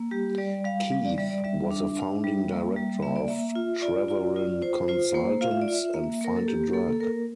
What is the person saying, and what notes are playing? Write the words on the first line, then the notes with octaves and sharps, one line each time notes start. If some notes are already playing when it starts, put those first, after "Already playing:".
Keith was a founding Director of Treweren Consultants and Find-a-Drug.
Already playing: A#3
G3 G4
G3 D5
G3 F5
G3
D5
G3 E5
D5
G3 E5
D4
D4
G3
A#3
G3
A#3 E5
D5
A#3 E5
F4
F4 D5
F4
F4
F4 C5
F4 C5
A#3 C5
F4 F5
E5
D5
F4 E5
A#3
A#3 A#4
A4
A#3 G4
A#3 A4
A4
A#3 A#4